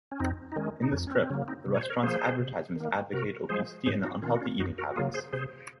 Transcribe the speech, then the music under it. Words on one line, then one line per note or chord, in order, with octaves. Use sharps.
In the strip, the restaurant's advertisements advocate obesity and unhealthy eating habits.
C#4
F2 C4 D#4
D#4
D#3 G#3 C#4
D#4
F2 C#4
C#4
C4
C4
C#3 F#3 A#3 C#4
C4 D#4
C3
C#5
C5
A#4 C#5
F3 A#3 G#4 C5
C3
D#3 A#3
C3 F#4 A#4
F3 G#3 G#4 C5
G#2 G#4 C5
D#4 F#4
D#3 C#4 F4
A#3
F#4
C#4 F4
F#2 D#4 F#4
F#4 A#4
F#4
C#3 F#3 A#3 F4 G#4
G#4 C5
C3 G#4 C5